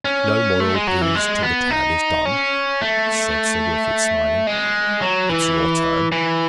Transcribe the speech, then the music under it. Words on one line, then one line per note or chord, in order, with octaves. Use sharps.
"No moral, please, till the tale is done," said Sir Wilfrid, smiling. "It's your turn."
C#4
A3
G#3
F#3
E3
G#3
B3
D#4
C#4
A3
G#3
F#3
E3
E3